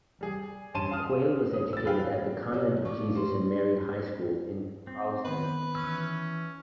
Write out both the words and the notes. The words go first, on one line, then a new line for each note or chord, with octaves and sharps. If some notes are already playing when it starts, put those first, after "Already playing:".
Quayle was educated at the Convent of Jesus and Mary High School in Harlesden.
G3 G#4
G2 C#4 A5 C6 D#7 E7
F5 A5 C6 D#6 F6
D#6
E6 A6
B4 F5 G5
C3 F3 G4 C#5 D5
G#2 F3 C#6 D6
G4 B4 C5 C6
C4
D#3 B3 B4
E3 C#4 E6